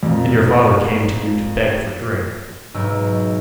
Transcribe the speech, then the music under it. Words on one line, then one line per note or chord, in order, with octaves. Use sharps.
And your father came to you to beg for drink.
F2 A#2
B1 G#2 E6